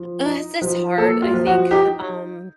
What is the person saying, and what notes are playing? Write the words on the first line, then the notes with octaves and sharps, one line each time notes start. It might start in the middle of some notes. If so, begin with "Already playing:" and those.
Uh, it's just hard, I think. Um
Already playing: F3
D#4
F3
A#3 A4
F4
F3
F#4
D#4 G4